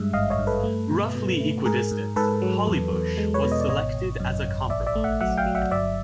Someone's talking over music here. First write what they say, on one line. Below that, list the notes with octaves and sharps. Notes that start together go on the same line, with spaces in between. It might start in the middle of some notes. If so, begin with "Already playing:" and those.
Roughly equidistant, Hollybush was selected as a compromise.
Already playing: G2 G#3 E5
G#1 D#5 F5
C#5 D#5
G2
A4 B4
A3
B2
B2
A3
G#2 G#4 A#4
G#2
G#2 A4 B4
F#3
E2
E2
G#3
B4 C#5
B2
D#5
D5
G#1 C#5 D#5
G#1
F#2
G#1
A#1 D5 E5
D5 E5
A3
E5 F#5
F#3 E5 F#5
F5 G5
F#3
E5 F#5
G1 D5 E5